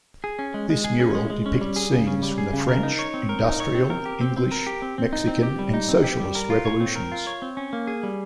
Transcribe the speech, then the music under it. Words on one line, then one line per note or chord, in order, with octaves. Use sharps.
This mural depicts scenes from the French, Industrial, English, Mexican and Socialist Revolutions.
G#4
C#4
G#3
G#3
G#4
C#4
G#3
G#3
C#4
G3
G#4
C#3
C#4
G3
G#4
C#3
A#4
D#4
C#5
C4
A#4
D#4
C#5
C4
A#4
G4
C4
C4
A#4
G4
C4
C4
D#4
C4
G4
G3
D#4
C4
G4
G3
A#4
F4
C#5
C4
A#4
F4
C#5
C4
C#4
A#3
G#4
G3